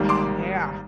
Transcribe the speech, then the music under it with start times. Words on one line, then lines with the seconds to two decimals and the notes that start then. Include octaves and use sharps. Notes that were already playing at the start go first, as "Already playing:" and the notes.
Oh, yeah.
Already playing: G#1 G#2 D#3 G3 A#3
0.09 C6 D6